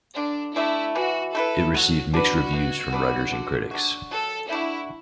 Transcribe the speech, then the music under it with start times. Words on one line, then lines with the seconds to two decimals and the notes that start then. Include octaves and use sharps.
It received mixed reviews from writers and critics.
0.16 D3 D4
0.56 A3 D4 E4
0.95 E3 F#4
1.34 A3 E4 A4 B4
1.74 F#3 F#4
2.13 D4 F#4 B4
2.53 B2
2.92 B3 D4 B4
3.32 D3
3.71 F#3 D4 F#4
4.11 F#3 A4
4.50 A3 D4 E4 F#4